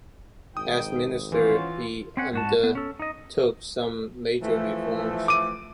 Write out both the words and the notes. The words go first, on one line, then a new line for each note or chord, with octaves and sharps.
As Minister he undertook some major reforms.
G#1 D#4 G5 D#6
E3 C#4 F4 F#4 C5
C4 C#4 F#5
G#2 F#4 A5
B3
C#4 A4
D#4 D#5
E3 F3 A3
D6 D#7